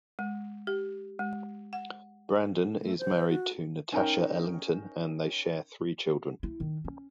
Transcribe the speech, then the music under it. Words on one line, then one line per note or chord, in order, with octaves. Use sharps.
Brandon is married to Natasha Ellington and they share three children.
G#3
G4
G#3
F#5
A3
C5
F#4
C#4 D#4 A#4 G5
E4
D#3
C#4